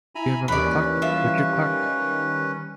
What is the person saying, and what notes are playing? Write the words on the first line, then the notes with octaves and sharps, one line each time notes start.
D'you remember Clarke, Richard Clarke?
E4 G#5 A#5 B5
D#2 E3 C#4 B4 D5 B5
G3 F4 E5
D#3